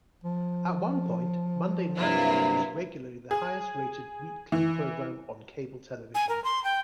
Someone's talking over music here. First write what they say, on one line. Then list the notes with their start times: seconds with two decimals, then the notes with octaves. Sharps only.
At one point, "Monday Nitro" was regularly the highest-rated weekly program on cable television.
0.24 F3
1.96 G2 C3 F#3 A#3 E4 F4
3.31 G#4
4.52 E3
6.14 G#5
6.29 A#4
6.44 C6
6.64 G5